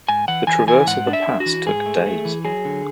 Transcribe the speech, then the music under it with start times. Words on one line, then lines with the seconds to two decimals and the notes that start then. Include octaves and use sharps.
The traverse of the pass took days.
0.08 G#2 G#5
0.28 E3 F#5
0.47 E3 G#5
0.67 E3 G#5
0.87 G#2 F#5
1.07 D4
1.13 E5
1.27 D4
1.40 F#4
1.46 E3
1.66 G#2 G#4
1.86 A3
2.06 A3
2.25 E3
2.45 F#3 G#4
2.65 D3